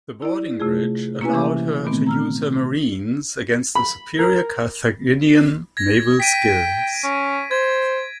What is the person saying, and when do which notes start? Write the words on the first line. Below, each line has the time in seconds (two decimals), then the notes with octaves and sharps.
The boarding-bridge allowed her to use her marines against the superior Carthaginian naval skills.
0.22 E4 D5
0.60 C3 A3 F4 G#4
1.21 A#3 C#4 E4 B4 G#5
1.33 C3 E3 C#4 G4 E5 D6
1.84 A#2 D#3 A3 B3 C4
2.07 A#5 E6 F6
3.75 B5
4.19 A#4
5.77 G#6 A#6
6.20 G5 B6 D7 D#7
7.04 C#4
7.51 C5 G#6